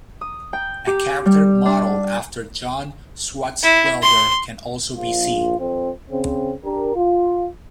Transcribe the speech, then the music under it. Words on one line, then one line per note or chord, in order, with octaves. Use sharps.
A character modeled after John Swartzwelder can also be seen.
D#6
G5
G4
G3
D4
E4
C6
A#1 F4
F2 C4
C#3 C4
D4 G4 A#4
F4